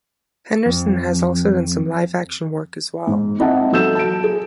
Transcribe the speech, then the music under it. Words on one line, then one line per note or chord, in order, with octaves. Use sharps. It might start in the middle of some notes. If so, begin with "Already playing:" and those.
Henderson has also done some live-action work as well.
F2
G#2
C4 D#4 D#5 E5 F#5 A5
F#3 A4 E6 G6 E7
A5 D7
G#4